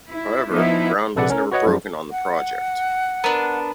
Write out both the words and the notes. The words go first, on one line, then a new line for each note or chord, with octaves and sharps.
However, ground was never broken on the project.
E4
F3 B3 D#4 E4
A#1 C3 A4 B4 D5 F#5
C#4 A#4
F#4 B4 C#5 D#5 F#5
F#2 F3 G3
F#5
B3 D4 A#4 A#5 D#7